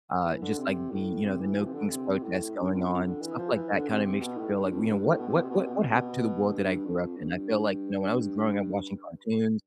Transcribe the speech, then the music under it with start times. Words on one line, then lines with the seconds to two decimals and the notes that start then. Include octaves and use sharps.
uh, just, like, the you know, the No Kings protest going on, stuff like that kinda makes you feel like, you know, "What what what what happened to the world that I grew up in?" I feel like, you know, when I was growing up watching cartoons,
0.25 E3
0.42 D3
0.58 C3
0.91 A2
1.24 C3
1.40 E3
1.57 F3
1.65 C3
1.73 D3
1.86 D3
1.90 C3
2.23 A2
2.56 G2
2.72 F2
2.88 F2
3.06 D3
3.21 E3
3.38 F3
3.54 E3
3.71 D3
3.88 C3
4.04 C3
4.21 B2
4.37 A2
4.54 G2
4.70 F2
4.87 G2
5.04 A2
5.20 B2
5.27 C3
5.35 B2
5.43 C3
5.50 B2
5.58 C3
5.66 B2
5.73 C3
5.81 B2
5.89 C3
5.97 B2
6.51 G2
6.85 F2
7.17 G2